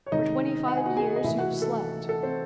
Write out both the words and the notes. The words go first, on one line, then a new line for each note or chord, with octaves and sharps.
For twenty-five years you have slept.
C#5
C3 D#3 G#3 D#4 D#5
F#5
G#5
F#4 F#5
G#4 G#5
D#5
C3 E3 A3 E4 E5
F#4 F#5
A4
A4
C4 C5